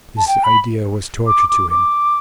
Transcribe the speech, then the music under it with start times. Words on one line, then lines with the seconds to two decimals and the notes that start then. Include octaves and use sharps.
This idea was torture to him.
0.17 A5
0.27 G5
0.44 B5
1.27 D6
1.49 D6
1.71 D6